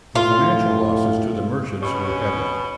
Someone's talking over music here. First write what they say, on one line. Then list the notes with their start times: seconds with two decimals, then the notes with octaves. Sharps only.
The financial losses to the merchants were heavy.
0.15 A2 F4
1.82 B2 C#4 G4 B5 C#6